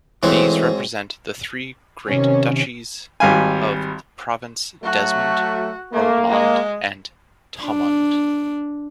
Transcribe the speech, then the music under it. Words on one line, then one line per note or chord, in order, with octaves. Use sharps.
These represent the three great duchies of the province, Desmond, Ormond and Thomond.
G#2 E3 F#3 A3 C4
C3 D#3 C#4
G#1 G3 F5 G#5
F#3 A3 F#4
A3 A#3
G#3
D4